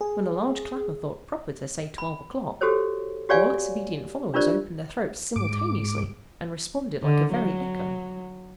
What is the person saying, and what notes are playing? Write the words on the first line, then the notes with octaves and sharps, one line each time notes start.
When the large clapper thought proper to say "Twelve o'clock!" all its obedient followers opened their throats simultaneously, and responded like a very echo.
G#4
B5
F#4 G4 A4 C5 C#5
F#4 G4 C#5 D5 F5 G#5
D4 F4 G4 A#4 C5 D5
G#2 D6
D3
F#3